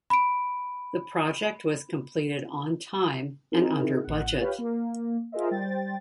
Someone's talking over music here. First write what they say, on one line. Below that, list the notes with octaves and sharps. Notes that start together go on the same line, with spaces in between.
The project was completed on time and under budget.
B5 D7
C4 D#4 E4 G#4 A#4
A1 F#5
F4 G4 B4 C#5 F5
A#3
F4 G#4 A#4 C5 D#5 E5
G3 C5 G5 A6